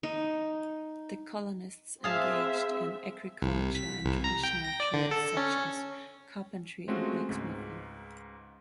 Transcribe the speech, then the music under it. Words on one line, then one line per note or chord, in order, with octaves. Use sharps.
The colonists engaged in agriculture and traditional trades such as carpentry and blacksmithing.
D#4
C4 G#4 E5 F5 A5
C2
B6
C2
A#5
G5
A#6
D5
D3
A4
C#4
G#3 A3 C4 C#4 F4 F#4
C#2 G#2